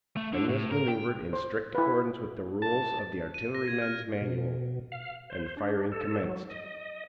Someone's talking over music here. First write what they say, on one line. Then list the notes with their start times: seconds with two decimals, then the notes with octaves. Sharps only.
The gun was maneuvered in strict accordance with the rules of "The Artilleryman's Manual," and the firing commenced.
0.17 A3
0.33 D3
0.49 A2
0.71 A#4
0.88 G5
1.33 C5
1.75 E4 B4
2.62 A5
3.34 D#7
3.55 A#6
3.68 G#6
3.82 F6
4.22 B2
4.92 F5
5.30 C5
5.57 D4
5.92 A4
6.23 F#3
6.50 D#5